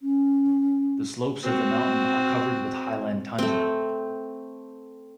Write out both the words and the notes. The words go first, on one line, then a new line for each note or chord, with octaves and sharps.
The slopes of the mountain are covered with highland tundra.
C#4
C4 F#4
A3 C4